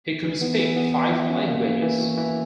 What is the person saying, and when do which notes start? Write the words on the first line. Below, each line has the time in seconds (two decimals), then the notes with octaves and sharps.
He could speak five languages.
0.23 E3
0.41 B3
0.59 E3
0.76 B3
0.94 B3
1.12 E4
1.30 C#4
1.47 A#3
1.65 E3
1.82 E3
2.01 F#4
2.18 E3